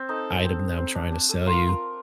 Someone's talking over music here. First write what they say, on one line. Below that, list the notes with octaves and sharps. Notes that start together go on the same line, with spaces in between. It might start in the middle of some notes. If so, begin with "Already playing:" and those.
item that I'm trying to sell you."
Already playing: C4
D#4 A4
C4
C4
D4
D4
A4
F4 A#4
A#4